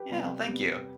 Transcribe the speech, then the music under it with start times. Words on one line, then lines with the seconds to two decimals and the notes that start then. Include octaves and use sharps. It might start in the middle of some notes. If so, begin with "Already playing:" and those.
Yeah, well, thank you.
Already playing: G4 B4
0.09 E2 C3 G3 B3
0.47 E2 C3 G3 B3